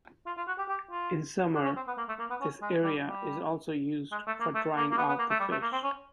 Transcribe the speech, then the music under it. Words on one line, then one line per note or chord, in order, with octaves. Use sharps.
In summer, this area is also used for drying out the fish.
F4
F4
F#4
G4
G4
F4
D4
C#4
C4
B3
A#3
A3
A#3
B3
C#4
G#3
G3
G3
G#3
A3
A#3
A3
A#3
A#3
B3
B3
A#3
A3
G3
A3
A#3
C4
C#4